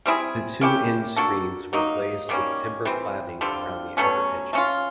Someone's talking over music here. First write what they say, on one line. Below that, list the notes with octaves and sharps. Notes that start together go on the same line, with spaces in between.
The two end screens were glazed with timber cladding around the outer edges.
G3 C4 E4 G#4
A#3 C#4 E4 G4
A#3 D4 F#4 A4
F#3 A#3 D#4
D#3 G3 A#3 C#4
E3 G3 C4
D3 G3 C4 F4
B2 F#3 A3 C#4
A3 C#4 F4